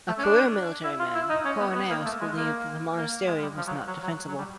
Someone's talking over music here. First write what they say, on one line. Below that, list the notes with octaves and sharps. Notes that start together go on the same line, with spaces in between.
A career military man, Koronaios believed that the monastery was not defensible.
A3
C#4
D4
E4
F4
E4
D#4
C#4
B3
B3
A#3
A3
G#3
A#3
A#3
G#3
G3
F3
F#3
F#3
F#3
F#3
G3